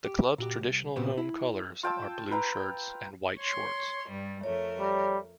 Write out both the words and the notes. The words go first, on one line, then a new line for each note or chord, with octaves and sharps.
The club's traditional home colours are blue shirts and white shorts.
G4
A#2 F#4 G4
C2
A#2 C#3 B3 C4 F#4 G4
E4
F4 G5 A5 E6
B4 G5 A#5
C#5 C6
G2 G3
F2 A3 A#4 C#5
G3